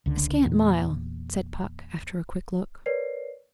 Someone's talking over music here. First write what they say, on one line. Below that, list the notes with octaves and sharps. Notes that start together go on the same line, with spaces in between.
'A scant mile,' said Puck after a quick look.
C#2 D3
E2 A#2
A#4 B4 C#5 D5 C7